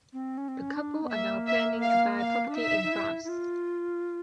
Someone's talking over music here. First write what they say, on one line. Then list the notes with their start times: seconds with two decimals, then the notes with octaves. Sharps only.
The couple are now planning to buy property in France.
0.13 C4
0.38 C#4
0.48 C4
0.59 C#4
0.74 D4
1.03 B3
1.11 A#3 E5
1.46 E5
1.82 F5
2.19 F5
2.47 D4
2.55 D#4 E5
2.84 D#4
2.92 E4
3.24 E4
3.29 F4